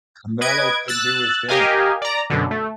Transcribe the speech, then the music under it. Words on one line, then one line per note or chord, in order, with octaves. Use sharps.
Canelo couldn't do his thing.
B4 D#5 G#6 D7
E6 F#6 A6
G4 A#4 D#5 F5 G#5
D5 A#5
F#2 B2 D3
A3